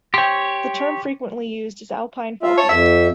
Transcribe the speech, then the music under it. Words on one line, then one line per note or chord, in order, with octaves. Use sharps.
The term frequently used is alpine fellfield.
G4 C#5 G5 C6
F4 E5
C#5 A5
F2 E5